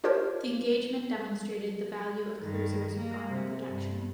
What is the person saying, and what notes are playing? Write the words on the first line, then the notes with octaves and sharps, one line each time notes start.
The engagement demonstrated the value of cruisers with armor protection.
D4 F4 G4 A#4 C5 C#5
G2 D#3
A#3
C3
G2